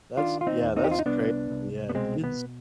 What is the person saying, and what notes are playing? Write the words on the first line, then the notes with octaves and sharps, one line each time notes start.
That's yeah, that's crazy, yeah. Kids
D#3 D4 F4
F4
C4 D#4
D#2
C4 D#4
G4
F4
D#4
C2 B3 D4
C2
B3
B2 G#3 C4
B3